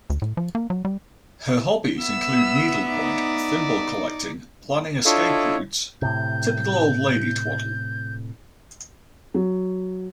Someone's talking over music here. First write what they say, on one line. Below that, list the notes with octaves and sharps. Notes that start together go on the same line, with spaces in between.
Her hobbies include Needlepoint, thimble collecting, planning escape routes... typical old lady twaddle.
D2
A2
F3
A#3
F#3
G3
B3 E5 E6
D#4 D5
D4 E4 F4 A4 C#5 D#5
A2 C3 G6
F#3